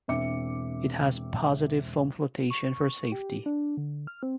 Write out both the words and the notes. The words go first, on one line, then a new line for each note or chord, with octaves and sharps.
It has positive foam flotation for safety.
E1 C4 D4 E5 D6 C#7
C#6
G4
D4
D3
F6
C4